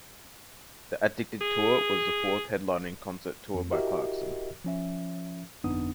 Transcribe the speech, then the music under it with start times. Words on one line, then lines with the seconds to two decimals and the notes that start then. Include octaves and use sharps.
The Addicted Tour was the fourth headlining concert tour by Clarkson.
1.41 G#4
3.54 F2
3.72 E4 F#4 G4 A#4 D#5 E5
4.64 F3 C#4 E5
5.64 G1 F2 B3 D4 D#4 D#6